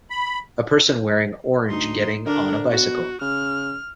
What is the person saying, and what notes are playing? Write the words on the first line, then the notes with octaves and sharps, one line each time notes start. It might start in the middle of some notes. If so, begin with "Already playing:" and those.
A person wearing orange getting on a bicycle.
B5
D2 D#4 C6
D3 D4 A#4
B2 F#4
C#3 F6